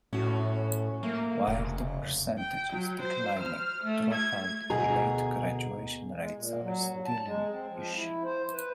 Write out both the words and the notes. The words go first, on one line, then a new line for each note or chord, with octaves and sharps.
While the percentage is declining, dropout and late graduation rates are still an issue.
A2 C#4 F#4
A3 A#3
F1 C#3
G5
F#3
C5
F6
A3
G#6
D2 B2 G#4 A#5
G#3
A#2
F#3
G2
A5
G#3
C4
F3
E4
C5
B4